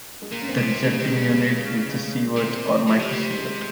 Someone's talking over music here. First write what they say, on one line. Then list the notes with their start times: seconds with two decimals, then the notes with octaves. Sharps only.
The resulting unit is the sievert or microsievert.
0.22 G#3
0.31 A#2 A#3
0.41 C#4
0.49 C4
0.57 C3
0.65 A#3
0.83 C#3 G#3
0.92 G3
1.00 D#3 G#3
1.16 C#3
2.36 C3
2.83 F3
2.86 A#2 G3
2.99 C3
3.13 C#3
3.25 C3
3.37 G#3